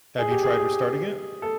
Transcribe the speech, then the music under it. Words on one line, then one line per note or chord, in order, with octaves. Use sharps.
Have you tried restarting it?
G#4
G4
G#4
G4
A4